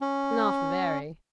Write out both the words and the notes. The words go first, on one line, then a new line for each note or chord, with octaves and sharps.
"Not very."
C#4